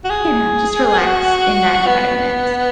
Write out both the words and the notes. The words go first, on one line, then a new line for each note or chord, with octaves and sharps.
you know, just relax in that environment.
F#4
G#4
F#4
B3